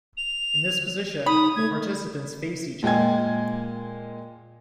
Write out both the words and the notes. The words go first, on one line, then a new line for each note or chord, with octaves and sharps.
In this position, the participants face each other.
F7
D#4 B5 D#6
A3 G#6
A#2 G#3 G5 G#5 G#6